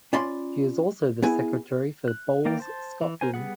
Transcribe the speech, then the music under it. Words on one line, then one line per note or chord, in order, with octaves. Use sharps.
She is also the Secretary for Bowls Scotland.
C#4 F4 D5 B5 C6
B3 E4 G#4
F#6
E3 A#3 A#4 D5 G5
C5 A5
E3
A#4 C5 G#5
G3 B3 G#4 F#5